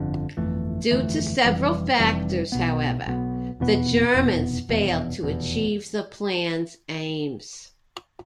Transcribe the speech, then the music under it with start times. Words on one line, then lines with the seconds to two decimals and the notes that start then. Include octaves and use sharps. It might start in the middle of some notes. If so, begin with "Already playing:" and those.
Due to several factors however, the Germans failed to achieve the plan's aims.
Already playing: G1 F2 D3
0.37 G1 F2 E3 A3
0.91 G1 F2 E3 A3
1.45 F1 F2 E3 G3
1.98 F1 F2 E3 G3
2.52 B1 B2 B3
3.06 B1 B2 B3
3.60 F1 E2 B2 B3
4.14 F1 E2 B2 B3
4.69 F1 E2 B2
5.23 F1 E2 B2